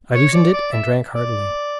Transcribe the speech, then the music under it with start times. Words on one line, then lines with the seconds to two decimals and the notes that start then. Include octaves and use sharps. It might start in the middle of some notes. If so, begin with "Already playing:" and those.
I loosened it and drank heartily.
0.14 C#5
0.34 D5
0.53 D5
0.72 E5
1.12 D5